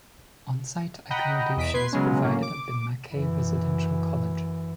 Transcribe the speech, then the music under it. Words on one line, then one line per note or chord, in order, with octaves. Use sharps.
On-site accommodation is provided at the Mackay Residential College.
D#5 F#5 G5 A#5 B5
E2 D#5 B6 D7
B2 B4 C6 G#6 C7
C#3 F#3 G#3 B3 C#4
A2 F#3 A#3 C#4
D6
F#2 E3